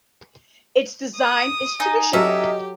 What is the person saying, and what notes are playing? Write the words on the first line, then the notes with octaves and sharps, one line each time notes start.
Its design is traditional.
D#6
D#4 G#5
F#3 C#4 D#4 G4 A4 D#5 E5